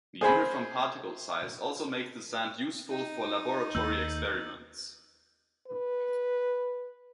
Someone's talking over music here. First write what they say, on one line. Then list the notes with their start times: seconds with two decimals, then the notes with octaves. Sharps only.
The uniform particle size also makes the sand useful for laboratory experiments.
0.21 G#4 C5 G#5 B5
2.89 D#4
3.75 D#2 A#3 E6 G6
5.67 B4